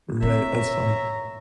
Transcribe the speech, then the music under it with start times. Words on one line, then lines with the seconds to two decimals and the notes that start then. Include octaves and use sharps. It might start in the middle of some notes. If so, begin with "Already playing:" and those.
Right, that's funny.
0.22 C4 C#5 E5 A#5